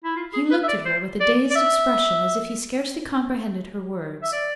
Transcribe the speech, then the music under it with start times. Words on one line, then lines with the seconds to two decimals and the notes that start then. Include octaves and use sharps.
He looked at her with a dazed expression, as if he scarcely comprehended her words.
0.04 E4
0.16 F4
0.33 G#4
0.51 B4
0.63 E5
0.68 D5
0.86 C5
1.20 D5
1.51 D5
1.56 E5
4.23 E5
4.33 D5